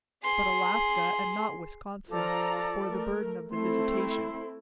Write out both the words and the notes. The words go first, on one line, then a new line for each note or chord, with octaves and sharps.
But Alaska and not Wisconsin bore the burden of the visitation.
G#4 C6
F3 F4 A4 D5 A#5 D6
A3 A#4
A3 C4 E4 C6